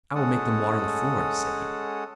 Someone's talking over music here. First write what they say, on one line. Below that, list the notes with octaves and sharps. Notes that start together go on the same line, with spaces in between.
"I will make them water the floor," said he.
G#3 C#4 A4 F#5 D#6